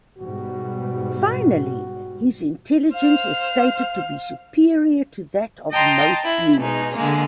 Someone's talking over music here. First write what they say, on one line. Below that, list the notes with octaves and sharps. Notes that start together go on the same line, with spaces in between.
Finally, his intelligence is stated to be superior to that of most humans.
G#2 B2 G3 F#4
C5 F5 F6
D#5 G5 A5 A#5 C6
E4
B2 G#3 D#4
D3 G#3 A#3